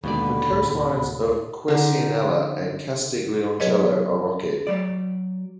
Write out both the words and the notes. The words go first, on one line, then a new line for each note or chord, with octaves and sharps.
The coastlines of Quercianella and Castiglioncello are rocky.
D#2 B2 D3 G#3 D5 B5
D2 A2
D3 D#4
F#3 G#4 B4 C#5 D#5
F#3 D5